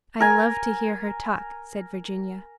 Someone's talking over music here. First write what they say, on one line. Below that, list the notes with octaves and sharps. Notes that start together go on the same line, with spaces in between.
"I love to hear her talk," said Virginia.
A#4 G#5